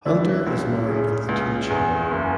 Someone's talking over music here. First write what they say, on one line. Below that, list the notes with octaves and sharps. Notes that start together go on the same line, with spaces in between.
Hunter is married with two children.
C#2 D4 E4
C#2
C#3
C#2
E2
F#1